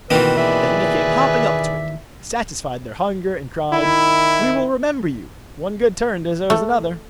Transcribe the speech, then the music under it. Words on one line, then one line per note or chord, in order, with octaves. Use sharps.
Then they came hopping up to it, satisfied their hunger, and cried: 'We will remember you--one good turn deserves another!'
D#2 B2 D#3 E3 C4 B4
G#4 B4 D5 E5
D#3 E4
A3